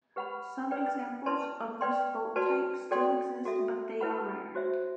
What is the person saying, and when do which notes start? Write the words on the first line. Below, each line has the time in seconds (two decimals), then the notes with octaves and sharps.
Some examples of this boat type still exist but they are rare.
0.16 G4 B4 F#5 B5
0.71 B4 D5 G5
1.26 E4 B4 D5 A5 C6
1.81 B4 D5 G5 C6
2.36 F#4 B4 D5 A5 C6
2.91 F#4 A4 D5 G5 C6
3.45 F#4 A4 E5
4.01 E4 B4 F#5 B5
4.55 F#4 C5 E5